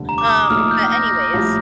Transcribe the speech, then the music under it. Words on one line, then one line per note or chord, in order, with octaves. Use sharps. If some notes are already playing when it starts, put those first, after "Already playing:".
um, but, anyways
Already playing: F1 D#2 D3 G3
A#5
D6
D#6
D#6
A#1 A#2 A3 D#4 F6
G6
A#6
A#1 A2 G3